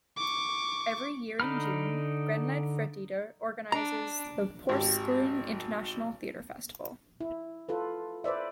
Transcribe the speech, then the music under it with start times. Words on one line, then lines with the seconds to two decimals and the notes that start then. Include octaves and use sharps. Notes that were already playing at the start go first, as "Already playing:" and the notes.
Every year in June, Grenland Friteater organises the Porsgrunn International Theatre Festival.
0.17 C#6 D6
1.40 D3 D#4 B5 F6
3.72 D4 A#5
4.69 G#1 G4
7.21 E4
7.69 F4 A4 B4
8.24 B4 C5 D5 E5